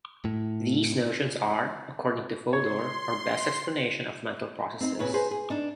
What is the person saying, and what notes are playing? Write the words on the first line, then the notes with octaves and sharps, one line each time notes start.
These notions are, according to Fodor, our best explanation of mental processes.
A2
C#5 C6
C4 D#4
D#2 A#2 C#3 B4 C#5
D#4 G#4 B4 C5
G#4
D4 D#4